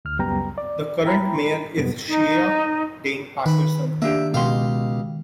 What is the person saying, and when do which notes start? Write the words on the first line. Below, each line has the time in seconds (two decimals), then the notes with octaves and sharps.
The current mayor is Shea Dane Patterson.
0.05 D2 F6
0.19 C#2 F#2 G3 B3 G5 A#5
0.58 D5
1.04 E4 G5 A#5 B5
1.78 F#2 C3 G3 B3
2.08 D#4
3.46 D#3 B4 B5
4.02 A#3 D4 G4 E5
4.34 C#2 B2 G4 F5 C6